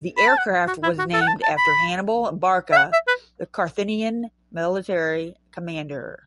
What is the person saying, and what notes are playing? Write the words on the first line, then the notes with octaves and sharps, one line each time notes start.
The aircraft was named after Hannibal Barca, the Carthaginian military commander.
B5
A5
F#5
F#4
E4
F#4
A4
F#5
A5
A5
B5
E5
F#5
E5
B4